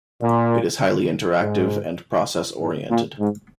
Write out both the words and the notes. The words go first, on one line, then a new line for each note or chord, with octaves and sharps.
It is highly interactive and process-oriented.
A#2
G#2
G#2
A#2
G#2